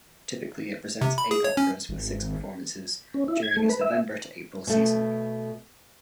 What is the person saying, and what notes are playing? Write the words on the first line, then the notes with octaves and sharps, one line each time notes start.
Typically, it presents eight operas with six performances during its November to April season.
C3
B5
G#4
C#5
C#4
G#1
C#4
E4
G#6
A3
B4
E5
B2 A3